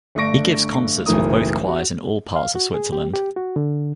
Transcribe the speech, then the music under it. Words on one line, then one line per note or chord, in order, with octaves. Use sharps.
He gives concerts with both choirs in all parts of Switzerland.
G1 A3 D4 C#6 A#6 D7
F#1 B1 E3 A3 A#4 D#6
F#4
F5
F#4
G#4
G4
G4
F#4
D3